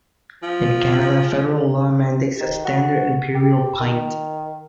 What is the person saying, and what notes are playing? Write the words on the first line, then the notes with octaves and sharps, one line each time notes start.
In Canada, Federal law mandates a standard imperial pint.
F3
D#3
F#4
G4
D#3